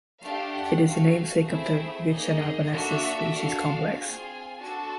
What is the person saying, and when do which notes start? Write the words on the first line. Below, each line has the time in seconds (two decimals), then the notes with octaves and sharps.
It is the namesake of the "Vicia narbonensis" species complex.
0.20 A3 D4 G4 F5
0.51 F#5
0.83 A3 C#4 F#4 F5
1.45 A3 C4 E4 G#4 E5
2.09 A#3 D#4 G#4 D#5
2.71 A#3 D4 F#4 A4 E5
3.34 D4 F#4 A4 F5
3.97 C4 F4 G#4 G#5
4.60 D4 F#4 A4 A5